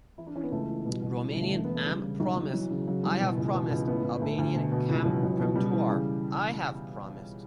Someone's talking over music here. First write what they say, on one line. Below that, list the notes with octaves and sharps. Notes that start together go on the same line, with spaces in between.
Romanian "am promis" "I have promised", Albanian "kam premtuar" "I have promised".
E3 E4
D4
E3 C#4
B3
C#2 A3
E3
B2 G3
B2
E3
G3
G1
A3
E1 A3
B3
E1
A3
C#3 G3
C#3
B1 G3
B1 F#3
E3 F#3
C#3 F#3
C#3 F#3
E3 G3
B2 F#3
E3
C#2
B2 E3
C#2
A2 B3
A2
D2 A3
D2
B2
B2
C#2 E3
C#2 F#3
C#2 F#3
E3
B2
F#3
C#3 G3
E3
C#3 G3